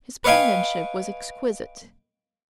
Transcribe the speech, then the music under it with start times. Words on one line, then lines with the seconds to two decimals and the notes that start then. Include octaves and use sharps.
His penmanship was exquisite.
0.24 B4 C#5 D#5 F5 G5 G#5